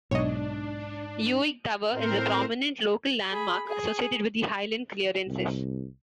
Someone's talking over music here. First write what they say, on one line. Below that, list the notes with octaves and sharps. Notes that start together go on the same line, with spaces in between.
Uig Tower is a prominent local landmark associated with the Highland Clearances.
B1 G#2 D4 C#5 D#5
A2 C4 A#4 C5
G#4 B5
G#4
C2